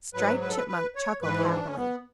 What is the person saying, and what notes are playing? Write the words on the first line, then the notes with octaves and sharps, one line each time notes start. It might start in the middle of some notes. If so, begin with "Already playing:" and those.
Striped Chipmunk chuckled happily.
G#2 F#3 B4
B4
A4
B4
B4
C#5
G#2 E3 B4
E4
D4
C#4
B3